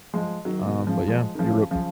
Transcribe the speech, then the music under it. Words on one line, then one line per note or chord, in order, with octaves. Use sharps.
um, but yeah, Europe,
F3 G#3
D#3 F#3
B2 D#3
C#3 F3
F3 G#3
D#3
C#3 F3
C#3 F3